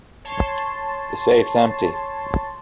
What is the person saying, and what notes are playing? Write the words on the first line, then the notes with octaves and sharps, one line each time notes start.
The safe's empty.
C#5 A5 C6